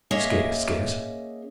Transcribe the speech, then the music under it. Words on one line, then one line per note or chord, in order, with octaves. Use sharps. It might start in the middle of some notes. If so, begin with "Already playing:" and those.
Scarce, scarce!'
A#3 C#4 G#4 C#5 D#5 E5